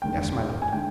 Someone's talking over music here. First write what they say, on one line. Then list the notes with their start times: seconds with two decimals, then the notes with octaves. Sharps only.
"Yes, my lord."
0.02 F1 D#2 D3 G#3 G5
0.62 G#5
0.73 D3 G#3 G5